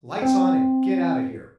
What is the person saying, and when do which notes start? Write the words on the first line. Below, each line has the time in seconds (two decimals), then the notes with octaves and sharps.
"Lights on and get out of here!"
0.22 C4